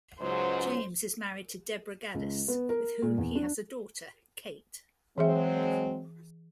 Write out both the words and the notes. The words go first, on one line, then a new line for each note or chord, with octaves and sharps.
James is married to Deborah Gaddas, with whom he has a daughter, Cate.
C#2 G#2 F#3 C5
C#2
B3
A#4
A#2
E2
D4
E3 F#3 G#3 C4 G#4 E5